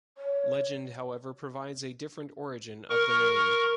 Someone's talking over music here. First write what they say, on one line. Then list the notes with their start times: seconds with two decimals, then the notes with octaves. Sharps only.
Legend, however, provides a different origin of the name.
0.18 C#5
2.90 A#4 C#6